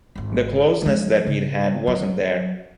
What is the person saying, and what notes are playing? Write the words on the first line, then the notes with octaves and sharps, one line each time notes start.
The closeness that we'd had wasn't there.
G#1 F4
F3 G#3
C#3
F#3